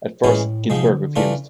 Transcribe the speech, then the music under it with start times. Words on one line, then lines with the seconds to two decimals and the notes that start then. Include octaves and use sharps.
At first, Ginsberg refused.
0.23 A2 E3 G#3 C#4 E4
0.70 G#2 C3 F3 G#3
0.93 D3
1.16 C#3 E3 A3 D4 F4